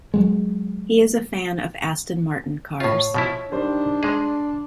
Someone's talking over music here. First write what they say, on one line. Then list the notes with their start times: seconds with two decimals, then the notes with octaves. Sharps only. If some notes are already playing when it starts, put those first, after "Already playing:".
He is a fan of Aston Martin cars.
0.14 F#3 G#3
2.80 A2 F4 C#5
3.14 B2 F3 E4
3.52 D#3 G3 D4 C5
4.03 G#3 G#4 D5 C6